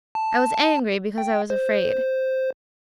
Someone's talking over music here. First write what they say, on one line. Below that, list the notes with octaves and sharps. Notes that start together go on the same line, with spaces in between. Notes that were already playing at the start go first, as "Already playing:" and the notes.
I was angry because I was afraid.
A5
G5
C5